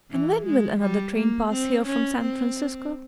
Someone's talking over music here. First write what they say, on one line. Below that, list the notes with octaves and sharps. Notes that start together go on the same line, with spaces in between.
"And when will another train pass here from San Francisco?"
E3
G#3
G3
A#3
C4
C#4
C4